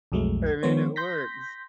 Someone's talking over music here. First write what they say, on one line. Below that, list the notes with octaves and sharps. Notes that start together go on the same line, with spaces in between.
I mean, it works.
B1 F2 F#3 G#3 A3
D#3 F3 G#3 B3 C5 C#5
C6 G6 A#6 B6